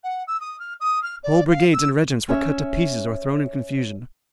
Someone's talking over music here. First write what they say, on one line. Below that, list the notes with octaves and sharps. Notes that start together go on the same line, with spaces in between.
Whole brigades and regiments were cut to pieces or thrown in confusion.
F#5
E6
D#6
F6
D#6
F6
D5
F5
E6
C#4 C#5 E5